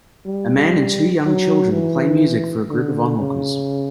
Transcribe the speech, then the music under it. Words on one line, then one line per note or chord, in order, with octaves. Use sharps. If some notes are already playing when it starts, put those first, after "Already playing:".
A man and two young children play music for a group of onlookers.
G3
F#3
E3
D3
C#3